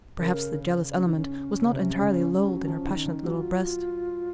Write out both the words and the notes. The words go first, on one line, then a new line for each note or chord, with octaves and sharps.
Perhaps the jealous element was not entirely lulled in her passionate little breast.
C#3 A#4
C#4
D#4
C#4
C#3
C3
C#3
F#3
F3
D#3
D#3
F#3 F4